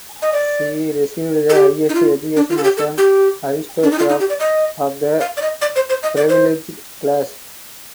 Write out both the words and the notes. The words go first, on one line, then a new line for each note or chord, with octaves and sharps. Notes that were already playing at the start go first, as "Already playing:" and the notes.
She received the highest education as an aristocrat of the privileged class.
D#5
D5
A4
G4
D#4
F4
D4
F4
A4
G4
A4
G4
D4
D#4
F4
D#4
G4
D5
D#5
F5
D5
D#5
D5
C5
C5
D#5
D5
C5